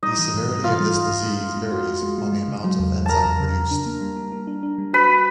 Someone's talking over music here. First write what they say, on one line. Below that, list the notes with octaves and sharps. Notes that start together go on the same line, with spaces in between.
The severity of this disease varies on the amount of enzyme produced.
G3 D#4 D#5
E3
G#2
E3
G3 F4 F5
G3
G#2
G#2
G#3
G#3
G#3
F#4
F#4
G#3
G#3
G#3
C#3
F#3
E2
E2
F#3 A#4 A5 A#5
E2
C#3
E2
D4
A#3
G3
A#3
A#3
D4
D4
G3
F#4 B4 B5
F#4